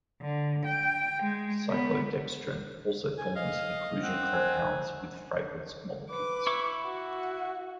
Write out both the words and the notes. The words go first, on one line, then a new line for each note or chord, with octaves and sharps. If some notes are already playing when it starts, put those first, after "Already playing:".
Cyclodextrin also forms inclusion compounds with fragrance molecules.
D3
G5
G#3
B3
G#5
D#5 F5
C4 F#5
A#4 C5 G#5
B4 D6
E4 C#6
F#4